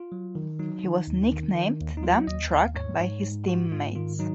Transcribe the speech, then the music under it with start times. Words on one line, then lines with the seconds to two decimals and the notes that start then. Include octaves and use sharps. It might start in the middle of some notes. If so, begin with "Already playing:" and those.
He was nicknamed "Dump Truck" by his teammates.
Already playing: F4
0.12 F#3
0.35 D#3
0.59 F#3 D#4
0.83 D#3
1.07 D#2
1.32 D#3
1.55 D#3
1.80 D#2
1.97 D#4
2.03 F#3 F4
2.27 D#2 D#5
2.51 D#2 F5
2.76 G#2 C#5
3.00 G#2
3.23 G#2
3.47 G#2 F#4
3.71 G#2 F4
3.95 D#3 F4
4.19 F#3 D#4